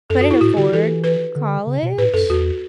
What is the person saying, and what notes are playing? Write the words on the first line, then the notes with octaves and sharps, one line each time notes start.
couldn't afford college,
F#2 A4
F#4
E4
A2 F#4
D3 G4
E3 A4
B4
D3
C#3
B2
A2 B4
F#2 A4
E2 F#4